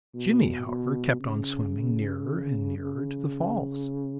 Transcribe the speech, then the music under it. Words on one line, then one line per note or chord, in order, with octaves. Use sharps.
Jimmie, however, kept on swimming nearer and nearer to the falls.
B2
B2
C#3
C#3